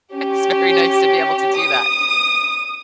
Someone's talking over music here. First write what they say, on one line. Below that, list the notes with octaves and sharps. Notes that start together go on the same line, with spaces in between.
It's very nice to be able to do that.
C#4 G4
D#6